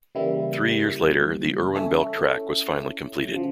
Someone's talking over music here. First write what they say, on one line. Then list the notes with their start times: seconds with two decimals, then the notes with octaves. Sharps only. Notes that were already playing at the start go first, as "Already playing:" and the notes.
Three years later, the Irwin Belk Track was finally completed.
0.15 C#3 E3 G3 A#3 E4
1.75 C#4 E4 A4 C#5 E5
3.35 C#3 F3